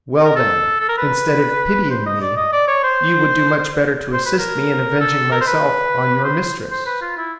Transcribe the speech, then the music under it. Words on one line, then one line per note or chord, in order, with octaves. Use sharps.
"Well, then, instead of pitying me, you would do much better to assist me in avenging myself on your mistress."
A#4
A4
A4
A#4
B4
C5
D#5
D5
D#5
D5
C#5
C5
C5
B4
A#4
A4
A#4
C5
B4
C5
C5
B4
F4
E4